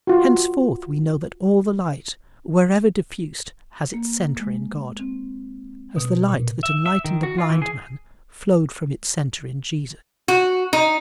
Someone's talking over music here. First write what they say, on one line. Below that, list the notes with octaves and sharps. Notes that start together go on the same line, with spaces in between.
Henceforth we know that all the light wherever diffused has its centre in God, as the light that enlightened the blind man flowed from its centre in Jesus.
F4 F#4
A#3
G#3
C4
B2
A#2
E5
E5
D#3
F#4
F4
E3
G#4
F#4
D#4